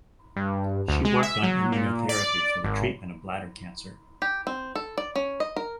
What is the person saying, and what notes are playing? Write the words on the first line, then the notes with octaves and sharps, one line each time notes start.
She worked on immunotherapy for the treatment of bladder cancer.
G2
D2
G#3
E5
F#3
A#2
D5
G#1
G4
C4
A4
D5
C#4
D#5
A#4